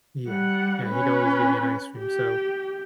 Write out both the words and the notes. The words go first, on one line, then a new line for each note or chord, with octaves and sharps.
Yeah. Yeah, he'd always give me an ice cream. So,
G3 F#5
C#4 B4
G4